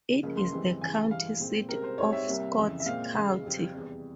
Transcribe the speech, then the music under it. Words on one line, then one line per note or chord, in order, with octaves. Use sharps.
It is the county seat of Scott County.
C#2 C#3 F3 A#3
C6
G2 E3 G#3 C4
E2 C#3 E3 G#5
G2 E3 G#3 F5
A#2 G#3 C4
C#2 C3 G3 C4 A#4
C5
G#2 G3 C4 C#5
E5
C2 C3 G3 A#3
F2 C#3 E3
E5
A#2 G#3 C4 F5
C#2 C#3 E3 G#3
F2 C#3 G3 C4
E2 C3 G3